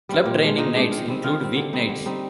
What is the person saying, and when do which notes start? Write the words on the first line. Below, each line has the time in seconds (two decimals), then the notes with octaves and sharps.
Club training nights include week nights.
0.09 G3 C4 F4
0.26 A#2
0.42 G#3 D4
0.58 A#2 D#4 D#5
0.75 G#3 D4
0.91 D#3
1.08 G3 C4
1.24 D#3 F4 F5
1.40 G3 C4
1.56 D3
1.73 G3 C4 D#4
1.89 D3
2.05 G3 C4 D#4